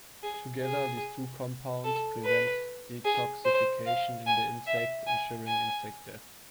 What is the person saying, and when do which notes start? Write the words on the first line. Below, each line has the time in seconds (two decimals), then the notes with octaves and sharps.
Together, these two compounds prevent detoxification in the insect, ensuring insect death.
0.23 G#4
0.63 G#4
1.84 A4
2.25 B4
3.05 G#4
3.45 C5
3.86 F5
4.27 G#5
4.67 E5
5.07 G#5
5.48 G#5